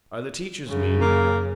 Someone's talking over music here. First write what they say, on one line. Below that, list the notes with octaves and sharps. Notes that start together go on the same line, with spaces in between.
"Are the teachers mean?"
F#2 C#3
A#3